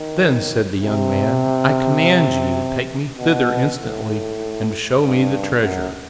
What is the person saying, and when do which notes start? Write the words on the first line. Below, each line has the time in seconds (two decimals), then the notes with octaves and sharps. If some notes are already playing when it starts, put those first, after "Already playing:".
"Then," said the young man, "I command you to take me thither instantly, and to show me the treasure."
Already playing: D#3
0.77 C3
3.18 B2
3.79 A2
4.99 G2
5.60 F#2